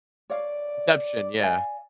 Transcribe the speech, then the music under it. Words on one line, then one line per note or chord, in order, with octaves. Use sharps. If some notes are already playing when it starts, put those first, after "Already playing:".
Inception. Yeah.
C#5 D5 F5
D5 F5 G#5